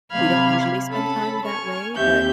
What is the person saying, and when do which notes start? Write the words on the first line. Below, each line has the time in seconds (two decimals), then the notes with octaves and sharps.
we don't usually spend time that way, but
0.11 C3 F#3 F5 B5 F6 G#6
0.91 C#4 A4 A5 B5
1.45 G#5 C#6 F6
1.95 D#2 C4 G4 E5 G6